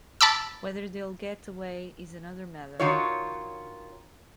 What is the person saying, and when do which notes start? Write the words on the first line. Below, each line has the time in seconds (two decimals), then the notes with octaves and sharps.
Whether they'll get away is another matter.
0.21 A5 B5 D6 E6
2.80 D#3 D4 F4 F#4 C#5